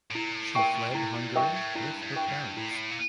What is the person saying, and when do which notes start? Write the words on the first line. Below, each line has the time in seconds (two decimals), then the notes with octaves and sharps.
She fled Hungary with her parents.
0.11 A2
0.15 A#2 E4
0.35 A2
0.55 A#2 A#4 E5 G5 C#6
0.75 A#2
0.91 A#2
0.95 A2 E4
1.15 A#2
1.35 G2 A#4 E5 G5 C#6
1.55 A2
1.75 G2 E4
2.03 G2
2.16 A#4 E5 G5 C#6
2.29 G2
2.56 A2 E4
2.70 A#2
2.76 A2
2.91 A#2